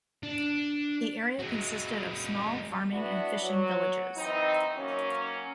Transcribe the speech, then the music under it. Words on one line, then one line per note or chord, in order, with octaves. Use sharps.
The area consisted of small farming and fishing villages.
D4
G#3 F#4
B3 D4 E4 F#4
F#3
E3 C4 D#4
F#3 A#3 C#4